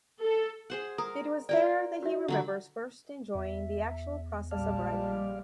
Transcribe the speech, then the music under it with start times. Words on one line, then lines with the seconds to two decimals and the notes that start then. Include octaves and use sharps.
It was there that he remembers first enjoying the actual process of writing.
0.22 A4
0.70 G#4 C5 F#5
0.98 A#4 D#6
1.49 F4 A#4 D5 G5
2.03 F#4 E5
2.28 D3 F#3 B5
3.35 E2 E5
4.51 A#1 G3 G#3 D5 F5 A5